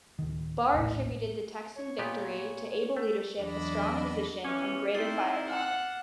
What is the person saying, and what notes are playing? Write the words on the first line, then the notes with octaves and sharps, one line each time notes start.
Barr attributed the Texian victory to "able leadership, a strong position, and greater firepower".
D1 D#3
D#1 A#1 A2
C#5
A#2 B3 G4
A3
E2 F#3 D4 D#5 B5
B2 E3 C#4 D6 F6
C4 D#4 E4 A6 C7 G7
F#5 F6 E7